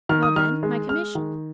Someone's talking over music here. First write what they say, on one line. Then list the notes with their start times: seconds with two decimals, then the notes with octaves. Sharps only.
"Well, then,--my commission?"
0.09 D#3 F6
0.23 D#6
0.36 D#3 F6
0.63 G#3
0.89 G#3 F6
1.15 D#3